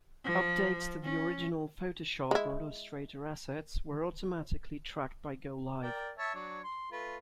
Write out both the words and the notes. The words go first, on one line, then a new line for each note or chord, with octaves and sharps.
Updates to the original Photoshop or Illustrator assets were automatically tracked by GoLive.
F3
C#4
G#3 E4
A#4 D5 G5
C#5 E5 A5
F#3 D4 C#5
C6
A3 F4 B4